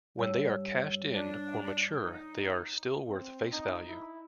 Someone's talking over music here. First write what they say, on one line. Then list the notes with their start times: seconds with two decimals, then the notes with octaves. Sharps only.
When they are cashed in or mature they are still worth face value.
0.19 G2 C#5 E6
1.12 D4
2.00 D#4
3.09 C4
3.52 D#4
3.88 E4